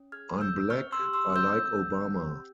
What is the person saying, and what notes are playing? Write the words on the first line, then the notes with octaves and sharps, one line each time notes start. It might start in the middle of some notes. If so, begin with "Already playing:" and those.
I'm black; I like Obama.
Already playing: C#4
G#4 F6 G#6
C#4 E6 G6
C4 C#6 F6
C6 E6
G4
C6 E6
C4
E6 G6
C4
C4
G4